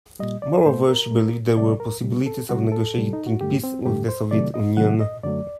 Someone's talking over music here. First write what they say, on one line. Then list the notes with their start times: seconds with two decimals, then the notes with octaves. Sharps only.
Moreover, she believed there were possibilities of negotiating peace with the Soviet Union.
0.19 A#2 G3 D#5
0.42 D5
0.65 A2 A3 C5
0.88 A#4
1.11 A2 A3
1.57 C3 G3 D5
1.80 A#4
2.03 C3 G3
2.26 A4
2.49 C3 G3 F#4
2.72 A4
2.94 C3 G3
3.13 D#4
3.27 F#4
3.41 G2 D3 A3 G4
3.64 C4
3.85 G2 D3 A3 G4
4.09 C5
4.31 C3 D#3 F#3 A3 D5
4.54 D#5
4.77 C3 D#3 F#3 A3 F#5
5.00 D#5
5.23 F#2 D3 F#3 A3 D5